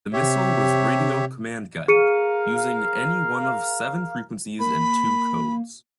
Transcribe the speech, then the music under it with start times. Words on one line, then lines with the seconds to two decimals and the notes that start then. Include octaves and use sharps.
The missile was radio-command guided, using any one of seven frequencies and two codes.
0.13 C3 G4 C#5 E5
1.88 G#4 A#4 F5 C#7 D#7
4.60 A#3 B5